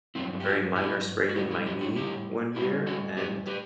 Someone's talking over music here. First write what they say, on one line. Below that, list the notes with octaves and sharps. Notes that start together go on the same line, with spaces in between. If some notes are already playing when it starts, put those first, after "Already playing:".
a very minor sprain in my knee one year, and
G2 F#3 A3 C4 E4
G4
D4 F#4
E4 G4
F#4
A2 G3 E4 G4
E4 G4
E4 G4
D4 F#4
E4 G4
A2 G3 E4 G4
F#4 A4
G4 B4
G4 B4